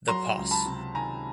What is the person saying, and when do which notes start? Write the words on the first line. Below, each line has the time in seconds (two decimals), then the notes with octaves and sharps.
The poss.
0.08 F#3 A#5 C6
0.37 C#2
0.51 A5 B5
0.66 C3
0.95 D#3 G#5 A#5